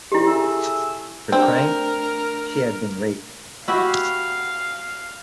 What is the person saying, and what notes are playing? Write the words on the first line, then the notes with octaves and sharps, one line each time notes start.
Her crime: she had been raped.
C2 E4 G4
A3 G#4 E6
A3 C4 D4 A#4
E4 F#4 G4 F5